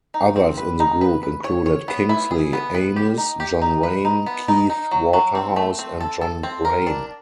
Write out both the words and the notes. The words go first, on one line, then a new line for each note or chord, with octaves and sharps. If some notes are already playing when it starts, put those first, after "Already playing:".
Others in the group included Kingsley Amis, John Wain, Keith Waterhouse and John Braine.
D#4
C4
B4
D#4
B4
B4
C#5
C#5
B3
E4
G#4
B3
B4
G4
D#4
G4
D#4
B4
D#4
B3
D#4
D#4
F#3
F#3
C4
A3
C4
A4
A4
C4
A#4
D4